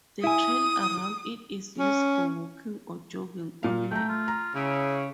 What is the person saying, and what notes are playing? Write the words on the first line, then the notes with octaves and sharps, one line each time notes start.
The trail around it is used for walking or jogging all year.
E4 G#5 D#6
C#4
A#2 F5
A3 G5 A#5
F4
A#5
C#3 E4